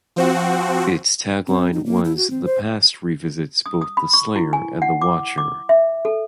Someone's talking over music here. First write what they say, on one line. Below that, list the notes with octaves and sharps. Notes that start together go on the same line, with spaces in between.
It's tagline was "The past revisits both the slayer and the watcher".
F3 C4 F#4
C4
D#4
A#3
E4
F#4
C4
C5
D#6
D#6
B5
C#6
E4
G#5
F#5
D6
D6
E5
A4